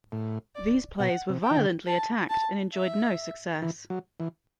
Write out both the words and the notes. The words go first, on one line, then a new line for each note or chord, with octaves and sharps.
These plays were violently attacked and enjoyed no success.
A2
D5
B2 F#5
C3
G5
E3
D3
A5
A5
E5
E3
F#3
E3